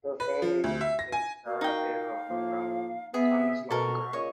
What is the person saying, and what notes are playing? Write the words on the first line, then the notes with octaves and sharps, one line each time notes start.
Her family moved to Sarajevo from Tomislavgrad.
B4
F3
D2
E5
A#6
G#5
A#3 F#4 F5
D#4 G5
A2 F3 A#3
B3 G#4 E5
B2 A4 A#4 C#6
A#2 C#3 C#5 D#5